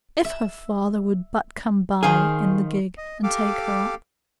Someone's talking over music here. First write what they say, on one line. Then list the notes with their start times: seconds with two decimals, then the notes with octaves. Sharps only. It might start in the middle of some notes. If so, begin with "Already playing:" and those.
If her father would but come by in the gig and take her up!
0.25 E5
2.03 D#3 G#4 C5 F5
2.97 D#5
3.23 G4 A4 F5 D6